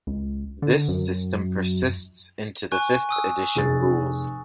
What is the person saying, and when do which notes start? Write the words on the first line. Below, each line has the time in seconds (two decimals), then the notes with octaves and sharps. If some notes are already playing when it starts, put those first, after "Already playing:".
This system persists into the fifth edition rules.
0.07 C#2
0.62 D3
0.88 F#2
2.72 G#5 C#6 F#6
3.09 G#5 D#6 E6
3.55 F1 G#4 A6